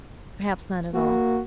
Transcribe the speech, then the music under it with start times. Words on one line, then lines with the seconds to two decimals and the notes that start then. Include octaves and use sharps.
Perhaps not at all.
0.94 A#3 F#4